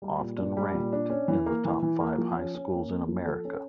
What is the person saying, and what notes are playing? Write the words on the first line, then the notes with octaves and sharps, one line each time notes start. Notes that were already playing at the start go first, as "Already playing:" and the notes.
Often ranked in the top five high schools in America.
G3
A#2
D4
G3
A#2
D4
C#4
E3
A#3
E3
E3
A#3
F3
C#4
C#4
A#3
A#3
F3
A4
C#4